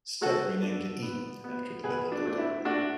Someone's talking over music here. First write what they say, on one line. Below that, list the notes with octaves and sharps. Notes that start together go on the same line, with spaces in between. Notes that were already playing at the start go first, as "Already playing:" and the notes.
Stepp renamed it Eden after the Biblical garden.
G#3 F#4 A4
D4
B3
B3
B2 G#4 B4
D4
A3 D4
E4
A3 D4 F#4